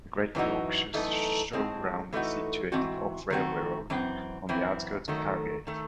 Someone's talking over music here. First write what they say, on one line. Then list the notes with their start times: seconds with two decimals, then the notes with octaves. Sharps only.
The Great Yorkshire Showground is situated off Railway Road, on the outskirts of Harrogate.
0.35 F#2 E3 C4 D#4 F#4
0.94 F#2 E3 A3 D#4
1.53 A2 G#3 C4
2.13 E3 A3 D#4 F#4
2.72 G#2 E3 C4 F#4
3.30 D#3 A3 C4 F#4
3.90 F#2 E3 C4
4.49 F#2 E3 C4 E4
5.08 D#3 F#3 A3
5.67 D#3 A3